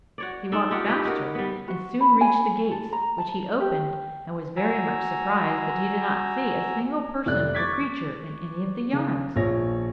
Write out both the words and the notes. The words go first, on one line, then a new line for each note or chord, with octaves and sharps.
He walked faster, and soon reached the gates, which he opened, and was very much surprised that he did not see a single person or creature in any of the yards.
F#4 C#5 D5
D4 D#4 A4
D#4 F4 G4 F#5
G4 B4 C#5
F#4 A#4
G3 B3
F#4
B5
G#5
A4
A#5
A5
G4
F#4 G#5 A#5 E6
F1 D5 F#6
C#6 D6 G#6 A6 B6
C#3
A#1 F3 C#5 A#6